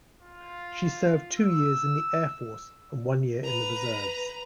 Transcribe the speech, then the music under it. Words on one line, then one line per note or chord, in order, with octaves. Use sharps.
She served two years in the Air Force and one year in the reserves.
F4
E6
B4 A#5